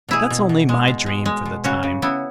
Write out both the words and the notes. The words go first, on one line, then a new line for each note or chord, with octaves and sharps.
That's only my dream for the time.
B2 E4 G#4
B2
B2
G#3
B2
G#3
G#3
B2
C#3 C#4 F#4
C#3
C#3 B3 E4